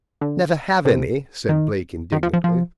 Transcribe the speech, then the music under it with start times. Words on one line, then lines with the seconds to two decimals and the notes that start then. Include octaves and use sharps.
"Never have any!" said Blake indignantly.
0.21 D3
0.85 C3
1.49 D#3
2.12 D#3
2.23 F3
2.33 F3
2.44 F3